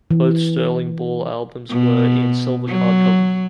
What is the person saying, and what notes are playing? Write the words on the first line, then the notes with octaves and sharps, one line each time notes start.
Both Sterling Ball albums were in silver card covers.
E3
B2
F#3